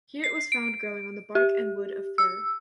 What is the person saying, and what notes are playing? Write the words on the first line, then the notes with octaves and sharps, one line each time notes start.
Here it was found growing on the bark and wood of fir.
C7
D7
G4
E6